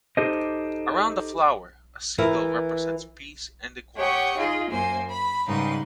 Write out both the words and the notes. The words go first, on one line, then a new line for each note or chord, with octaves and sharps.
Around the flower, a seagull represents peace and equality.
D#4 G4 A4 C5 D#5
E3 E4 A#4
G4 C#5 F#5 G5 C#6 D#6
D#4 F4 G#4
F#2 A#3 C5 G#5
B5
G#2 C#3 G3 D#4 B4 C6